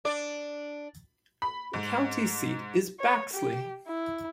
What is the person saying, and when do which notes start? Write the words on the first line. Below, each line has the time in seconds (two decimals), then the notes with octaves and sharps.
The county seat is Baxley.
0.05 D4 D5
1.42 B5
1.73 G#2
3.00 C#5
3.33 G4
3.88 E4